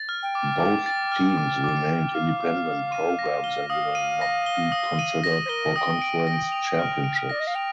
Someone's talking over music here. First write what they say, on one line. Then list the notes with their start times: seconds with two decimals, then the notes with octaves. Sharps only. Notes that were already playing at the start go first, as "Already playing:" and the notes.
Both teams remained independent programs and will not be considered for conference championships.
Already playing: A6
0.09 F6
0.23 G5
0.35 D6
0.60 D6
0.86 A6
1.12 F6
1.38 D6
1.64 D6
1.90 A6
2.15 F5 F6
2.40 D6
2.66 D6
2.92 D#7
3.19 A#6
3.44 G7
3.69 F5 D#6
3.95 D#7
4.21 A#6
4.46 G7
4.72 D#6
4.99 D#7
5.24 A#6
5.45 C5
5.49 A#4 G7
5.76 G5 D#6
6.02 D7
6.27 A#6
6.52 F7
6.79 F6
7.04 D7
7.29 D5 A#6
7.40 D#5
7.47 F5
7.55 G5 F7